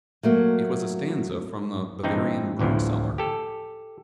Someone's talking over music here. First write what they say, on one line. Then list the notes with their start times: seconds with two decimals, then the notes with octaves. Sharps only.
It was a stanza from the 'Bavarian broom-seller'.
0.23 F#3 A3 A#3
2.03 G2 E3 C4 D#4
2.59 A1 D2 E3 F3
3.18 G4 A4